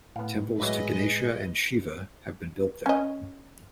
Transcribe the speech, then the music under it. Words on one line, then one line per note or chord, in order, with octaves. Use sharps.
Temples to Ganesha and Shiva have been built there.
A2 B3 F5
B2 E3 F#3 G#3 B4 D#5
C#4 D#5